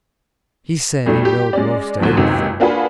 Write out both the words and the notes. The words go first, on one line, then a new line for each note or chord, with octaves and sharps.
He said he knowed most everything.
F2 B2 G3 A3 D#4
G4
G#3 C#4 D5
D2 G#2 B2 F3
F#1 C#2 C3 D#3
A#3 D4 F4 F#4 G#4 B4